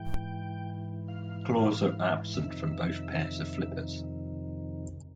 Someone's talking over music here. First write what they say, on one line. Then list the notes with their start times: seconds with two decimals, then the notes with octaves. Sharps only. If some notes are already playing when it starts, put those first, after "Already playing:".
Claws are absent from both pairs of flippers.
Already playing: G#2 E3 G5
1.08 F5
2.35 F2 C3 D#3 E5